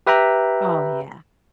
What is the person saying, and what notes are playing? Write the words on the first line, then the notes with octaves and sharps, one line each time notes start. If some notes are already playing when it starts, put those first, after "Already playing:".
Oh, yeah.
G4 B4 E5 G5 A#5 B5